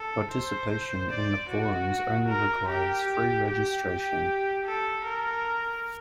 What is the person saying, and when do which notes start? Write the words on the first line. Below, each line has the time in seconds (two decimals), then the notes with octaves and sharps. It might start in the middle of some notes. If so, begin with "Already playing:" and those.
Participation in the forums only requires free registration.
Already playing: A4
0.31 C5
1.10 D5
1.49 F#4
2.28 A#4
2.68 G4
3.47 G4
3.86 G4
4.65 A4
5.05 A#4